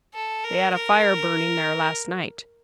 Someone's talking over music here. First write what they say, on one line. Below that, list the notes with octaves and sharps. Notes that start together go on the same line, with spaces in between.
"They had a fire burning there last night."
A4
A#4
A#4